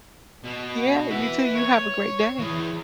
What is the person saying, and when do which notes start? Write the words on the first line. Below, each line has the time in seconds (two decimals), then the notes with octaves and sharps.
Yeah, you too, you have a great day.
0.44 B2
1.10 B4 E5
1.55 C#5
2.39 E3 G#4